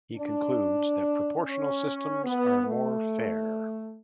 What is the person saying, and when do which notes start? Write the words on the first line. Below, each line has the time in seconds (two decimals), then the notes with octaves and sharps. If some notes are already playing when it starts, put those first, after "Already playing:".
He concludes that proportional systems are more "fair".
0.17 D4
1.42 C#4
2.24 B3
2.65 A3